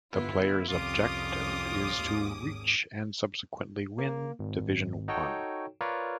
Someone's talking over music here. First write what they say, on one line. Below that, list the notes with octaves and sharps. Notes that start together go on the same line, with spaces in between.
The player's objective is to reach, and subsequently win, division one.
G1 B3 E4 F4
C2 F2 C#4 F4 D6 D#6
G#1 D#2
G#1
A#3
G#1
D#4 F#4 A4 C#5 G5
F4 A#4 B4 C#5 D5 F5